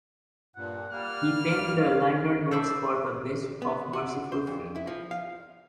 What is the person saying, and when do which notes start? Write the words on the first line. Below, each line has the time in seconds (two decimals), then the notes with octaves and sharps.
He penned the liner notes for the Best of Mercyful Fate.
0.56 G2 A#2 F#5
0.91 G3 A#3 F6
1.81 F5
2.51 A4 C5 D5 E5
3.62 B3
3.93 F#4
4.32 C5
4.47 F2
4.76 E4
4.87 F3
5.11 F5